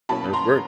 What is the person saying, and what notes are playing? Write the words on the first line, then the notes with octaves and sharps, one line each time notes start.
that's great.
B2 F#3 A#3 C#4 A5 B5
A#5 C6